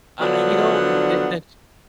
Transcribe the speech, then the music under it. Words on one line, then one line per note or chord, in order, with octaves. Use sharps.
I I you know, i ye that ch
D3 F3 F#3 B3 D4